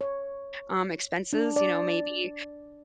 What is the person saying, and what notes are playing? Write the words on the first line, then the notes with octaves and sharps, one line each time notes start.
um, expenses, you know, maybe,
C#5
D4
D5